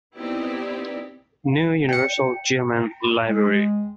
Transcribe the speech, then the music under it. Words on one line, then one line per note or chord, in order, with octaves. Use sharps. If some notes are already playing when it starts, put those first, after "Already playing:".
New Universal German Library.
B3 C4 D#4 E4 G4 D5
G5 C#7
G#3